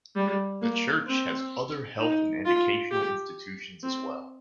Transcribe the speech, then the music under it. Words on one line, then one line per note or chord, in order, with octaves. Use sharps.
The church has other health and educational institutions as well.
G3
A#3
C4
D#4
F4
G4
C4